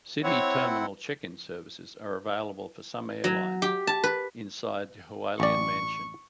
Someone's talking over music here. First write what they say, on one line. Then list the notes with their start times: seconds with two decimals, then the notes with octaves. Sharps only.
City Terminal check-in services are available for some airlines inside the Hualian Mansion.
0.24 C4 E4 C#5 F#5
3.24 F#3
3.62 G4
3.87 A5
4.04 B4
5.40 A1 D5 C#6